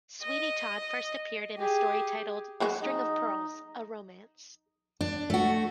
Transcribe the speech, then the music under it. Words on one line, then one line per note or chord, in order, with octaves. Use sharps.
Sweeney Todd first appeared in a story titled "The String of Pearls: A Romance".
D#5
G4 G#4
F#3 G#3 F#4
D#4 D#5
D4
A3 F#4